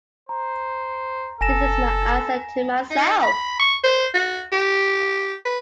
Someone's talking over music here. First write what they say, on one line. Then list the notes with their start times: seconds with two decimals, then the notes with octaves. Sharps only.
This is my answer to myself.
0.29 C5 A#5
1.41 F#1 A4 G#5 A#6 E7
2.91 D#4
3.23 B5
3.59 C#6
3.84 C5
4.14 F#4
4.52 G4
5.45 B4